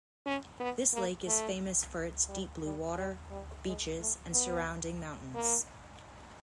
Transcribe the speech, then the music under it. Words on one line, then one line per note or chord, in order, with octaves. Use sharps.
This lake is famous for its deep blue water, beaches, and surrounding mountains.
C#4
B3
A#3
A3
G3
G3
G3
G3
G#3
A3
B3
A#3